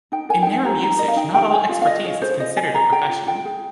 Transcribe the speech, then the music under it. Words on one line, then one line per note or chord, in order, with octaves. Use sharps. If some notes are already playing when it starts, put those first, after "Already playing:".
In narrow usage, not all expertise is considered a profession.
D#4 G5
A#4 G#5
G5
D#4 G#5
G4 A#5
D#4 A#5
A#4 D#5
F5
D#4 G5
G4 G5
G#4 G#5
F4 F5
F5
F4 D#5
G#4 C#5
G#4 C5
F4 D#5
F4 G#5
G#4 A#5
G#4 G5
F4
F4 G5
G#4